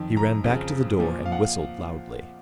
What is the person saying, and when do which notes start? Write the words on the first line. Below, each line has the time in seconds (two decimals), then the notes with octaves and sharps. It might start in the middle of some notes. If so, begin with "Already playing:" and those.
He ran back to the door and whistled loudly.
Already playing: F2 D#3
0.17 A#5
0.44 F2 C#3 F3
0.99 A#2 F3
1.26 F5
1.32 F#5